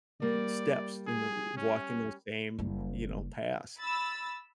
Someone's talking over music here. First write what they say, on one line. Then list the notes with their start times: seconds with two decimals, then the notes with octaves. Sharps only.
b steps, in the walking those same, you know, paths
0.22 G3 A#3 D5
1.07 G#4
1.57 C#4
2.59 F#1 G3
3.79 B5 E6 A6